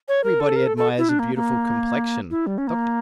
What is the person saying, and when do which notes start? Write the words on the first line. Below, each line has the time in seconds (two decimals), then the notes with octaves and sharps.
Everybody Admires a Beautiful Complexion. DR.
0.08 C#5
0.24 A#4
0.40 A4
0.56 A#4
0.66 A4
0.77 A4
0.98 E4
1.09 D4
1.19 A#3
1.36 A#3
2.31 E4
2.47 G3
2.58 C#4
2.67 A#3